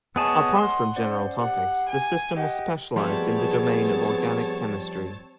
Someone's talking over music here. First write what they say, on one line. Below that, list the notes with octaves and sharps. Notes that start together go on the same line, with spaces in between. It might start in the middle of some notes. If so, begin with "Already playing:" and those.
Apart from general topics, the system was specialised in the domain of organic chemistry.
B3 G#4 C#5 D#5 G#5 A5 C#6
F#5 C6
C#4 C5 D5
G4 F#5
G#5
G4 D#5 F#5 G5
F3 G3 A3 B3 C4 G#4 C#5 A5